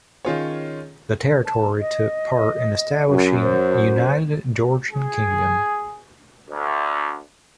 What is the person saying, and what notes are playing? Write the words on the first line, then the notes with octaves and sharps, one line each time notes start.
The territory took part in establishing united Georgian Kingdom.
D#3 C#4 F4 G#4 C#5
A5
D#5
F#2
C5
G#4
D2